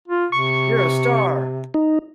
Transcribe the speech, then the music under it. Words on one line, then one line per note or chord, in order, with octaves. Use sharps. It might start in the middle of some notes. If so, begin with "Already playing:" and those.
You're a Star!.
F4
C3 C#6
D#4